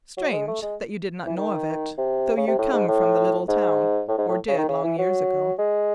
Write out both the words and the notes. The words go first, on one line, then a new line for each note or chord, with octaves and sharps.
Strange that you did not know of it, though you come from the little town--or did, long years ago.
F#3
G#3
A3
G#3
E3
D#3
C3
C#3
C3
A2
G#2
A2
G#2
A2
G#2
A2
C#3
D#3
C#3
E3
F#3
G#3